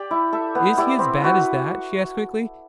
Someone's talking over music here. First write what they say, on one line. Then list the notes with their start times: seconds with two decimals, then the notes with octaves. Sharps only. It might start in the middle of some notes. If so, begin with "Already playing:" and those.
"Is he as bad as that?" she asked quickly.
Already playing: G4 D5
0.11 E4
0.32 A4 E5
0.55 B3
0.77 E4 G4 D5
0.99 C4
1.22 F#4 B4